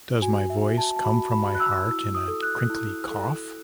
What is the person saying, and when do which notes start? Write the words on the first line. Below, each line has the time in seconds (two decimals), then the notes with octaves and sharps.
Does my voice come from my heart in a crinkly cough?
0.22 F#4 G#5
0.50 E5
0.63 F#4
0.78 A5
0.96 A5
1.05 F#4 B5
1.32 B5
1.46 F#4
1.55 F#6
1.60 E6
1.87 E4 E6
2.15 D#6
2.28 A4
2.43 F#6
2.70 E4
3.11 A4